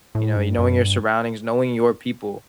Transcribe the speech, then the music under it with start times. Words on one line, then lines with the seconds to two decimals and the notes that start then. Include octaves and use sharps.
you know, y knowing your surroundings, knowing your people,
0.15 A2
0.36 G2
0.58 F#2
0.80 G2